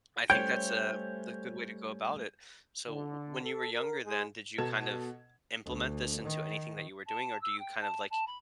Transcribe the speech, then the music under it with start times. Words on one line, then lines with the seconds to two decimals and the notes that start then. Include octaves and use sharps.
I think that's a a good way to go about it. So, when you were younger then, did you kind of, implement this into anything that you were doing, or do you kind of, like,
0.30 G3 A3 C#4 C5 C#5 G5 G6
2.88 D3
3.43 A4
3.72 A#4
4.05 G#3
4.58 B2 A4 G#6 E7
5.65 D2
6.24 D#3
7.06 A5
7.41 E6
7.59 G5
7.80 A5
8.10 A5
8.27 B5